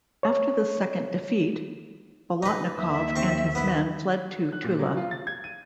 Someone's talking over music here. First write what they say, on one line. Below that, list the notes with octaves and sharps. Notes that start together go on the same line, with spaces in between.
After the second defeat, Bolotnikov and his men fled to Tula.
C#5
D#4 B4
D#2 D#3 E5
C4 C#6
B3 E4
F#6
A#2
F#3
F4
A6
G#6
D#7